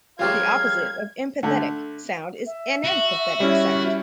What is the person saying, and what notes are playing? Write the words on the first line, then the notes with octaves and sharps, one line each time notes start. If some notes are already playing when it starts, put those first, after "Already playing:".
The opposite of empathetic sound is anempathetic sound.
F#2 G3 G#3 F4 G4 C5 F5 G#6
D3 A3
E5
F#4
G3 C#4 E4